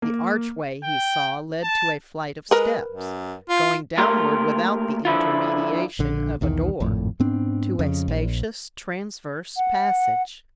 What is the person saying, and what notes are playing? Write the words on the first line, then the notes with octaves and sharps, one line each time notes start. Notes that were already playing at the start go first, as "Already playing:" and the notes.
The archway he saw led to a flight of steps, going downward without the intermediation of a door, to a spacious transverse passage.
A#3
G5
A5
G#3 A#4 B4
F#2
F4
A3 A#3 F4 G4 A#4
D3 F3 E4 F4
A#1 D3
B1 E2 D#3
G#1 F2 A2
G#2 B3 C4 D4
F2 C#3
A#1
F#5